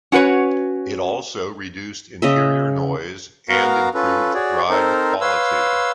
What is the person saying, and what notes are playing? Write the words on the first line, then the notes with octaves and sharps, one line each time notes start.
It also reduced interior noise and improved ride quality.
C#4 F#4 B4 C#5
C#3 D#5 E5
B3 F#4 A#4 F5 A#5
C#4 F4 A4 B4
F#4 G#4 C#5 D5
C4 D#4 A4 A#4 C5
B4 C#5 F5 C6 E6